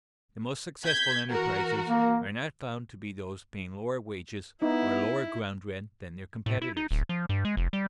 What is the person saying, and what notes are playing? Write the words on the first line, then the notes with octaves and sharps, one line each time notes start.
The most successful enterprisers are not found to be those paying lower wages or lower ground-rent than their competitors.
G6 G#6 B6
E3 F#4 A#4
A#3
B3 D#4 E4
A2
E4
D#4
D1
F3
G2
G#3
F1
G3